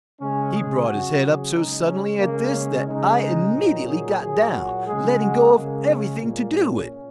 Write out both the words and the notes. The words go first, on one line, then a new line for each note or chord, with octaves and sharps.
He brought his head up so suddenly at this that I immediately got down, letting go of everything to do it.
C#3 G#3 C#4
G#4
C#3 F#3 F#4
G#4
C#3 G#3 D#4
C#4
C#3 G#3 A#3
C#4
C#3 G#3 D#4
A#2 F#3
G#4
A#2 F#3 G#4
F#4
C#3 G#3 G#4
F#4
C#3 G#3 A#3
C#4
A#2 G#3 A#3
C#4